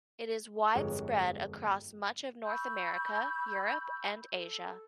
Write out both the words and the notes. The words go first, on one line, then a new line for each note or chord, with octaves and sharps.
It is widespread across much of North America, Europe and Asia.
G1 F2 G#3 A#4 C#5
B5 C#6 E6 G6
A4